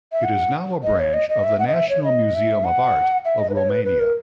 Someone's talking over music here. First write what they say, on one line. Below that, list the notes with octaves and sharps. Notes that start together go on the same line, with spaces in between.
It is now a branch of The National Museum of Art of Romania.
E5
F#5
D#5
C#5
D#5
D#5
E5
F#5
D#5
E5
C#5
D#5
E5
F#5
E5
D#5
B4
C#5
B4
B4
A#4